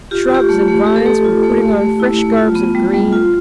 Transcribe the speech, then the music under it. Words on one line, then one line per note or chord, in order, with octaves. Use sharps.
Shrubs and vines were putting on fresh garbs of green.
F4 G4
F4 G4
A3
A3
A3 G4
A4
A3 G4
F4
A3
A3
A3
E4
A3
F4
B3
G3
G3
F4